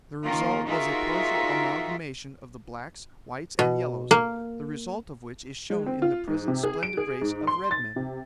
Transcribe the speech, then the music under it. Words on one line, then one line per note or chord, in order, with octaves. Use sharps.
The result was a partial amalgamation of the blacks, whites and yellows, the result of which is shown in the present splendid race of red men.
D#3 A#3 C#4 F4 A#4
D#4 F4 F#4 G#4 A#4 E5
B2
A#3
G#3
C4
F4
G#2
C3
G#4
D7
G#4
G#2
C6
A6
C3